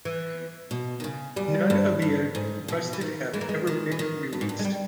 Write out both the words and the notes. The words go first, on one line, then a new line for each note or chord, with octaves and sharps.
None of the arrested have ever been released.
E3
B2
D#3
C#3
E2 G3
G2
G2
G#2
B2
E3
D#3
E3 G#3
A#3
G#3
D#3
E3
D#3
G2
G#2
G2
G#3
G3